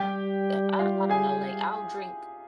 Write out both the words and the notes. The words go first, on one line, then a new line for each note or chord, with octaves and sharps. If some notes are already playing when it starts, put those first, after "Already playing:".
uh, I I don't know, like, I'll drink
Already playing: G3 G4 G5
F4 F5
G#4 G#5